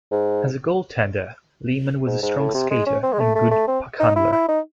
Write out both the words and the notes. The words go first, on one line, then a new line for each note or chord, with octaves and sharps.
As a goaltender, Lehman was a strong skater and good puckhandler.
G#2
G#2
G#2
A2
C3
G#3
C#4
C4
G#3
A3
A3
A3
C4
D#4
E4
E4
D#4